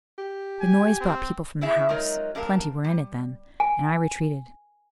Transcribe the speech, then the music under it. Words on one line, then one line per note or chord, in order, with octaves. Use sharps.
The noise brought people from the house--plenty were in it then--and I retreated.
G4
G#5
C4
B3 E4 F#4 G#4 E5
F#3 G#3 D#4 F4 A#4
G2 A#2 D4 A#4 F5
G3
G#5